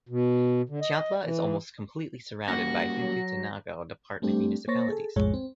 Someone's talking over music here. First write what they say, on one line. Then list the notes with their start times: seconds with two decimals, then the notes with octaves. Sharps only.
Chiantla is almost completely surrounded by Huehuetenango Department municipalities.
0.09 B2
0.69 D3
0.81 D#5
1.23 E3
2.48 G3 A#3 C#4 F#4 A#6
2.98 F#3
4.22 G3 A3 C4 D4 G4
4.68 A#3 C5 C#5 C#6 A6 A#6
4.89 G#4 A4
5.16 B1 F2 A2 G#3 G#4 C#5
5.34 C4